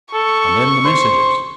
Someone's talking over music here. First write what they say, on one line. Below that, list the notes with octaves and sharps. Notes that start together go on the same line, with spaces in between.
And then the messages!
A4 C#6
C5